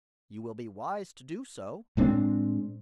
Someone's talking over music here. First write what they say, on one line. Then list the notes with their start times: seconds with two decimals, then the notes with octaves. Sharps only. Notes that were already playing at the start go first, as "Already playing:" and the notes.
"You will be wise to do so."
1.97 A2 G#3 C4 D4